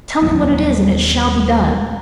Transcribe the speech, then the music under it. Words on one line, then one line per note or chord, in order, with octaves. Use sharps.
'Tell me what it is, and it shall be done.'
D#1 G#1 F#3 B3